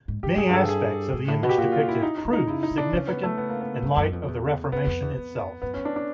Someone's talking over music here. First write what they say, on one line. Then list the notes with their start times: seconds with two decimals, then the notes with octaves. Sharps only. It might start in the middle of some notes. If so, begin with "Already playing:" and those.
Many aspects of the image depicted prove significant in light of the Reformation itself.
0.08 G#2
0.23 G2 G4
0.36 F#2 G#4
0.49 G2 A4
0.69 G#4
1.13 G#2
1.28 A2
1.43 B2
1.49 G4
1.58 A#2 F#4
1.72 F4
1.88 E4
2.03 D#4
2.18 D#4
2.25 D3
2.33 D#4
2.47 C#3 E4
2.63 D#4
2.71 C3
2.78 D4
2.92 C#3 C#4
3.07 B3
3.23 A3
3.37 B3
3.49 A#3
3.61 B3
3.82 G2
3.97 F#2
4.13 F2
4.28 E2
4.72 F2 B3
4.87 F2
5.02 E2
5.18 F2
5.62 F#2 B3
5.74 C#4
5.77 G2
5.85 D4
5.96 D4